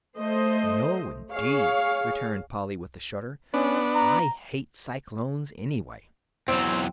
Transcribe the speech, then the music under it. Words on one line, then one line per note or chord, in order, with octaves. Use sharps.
"No indeed," returned Polly, with a shudder, "I hate cyclones, anyway."
A3 C5 D#5
G#4 C#5 F5
B3 C#4 D4
A#5
E2 F#3 C4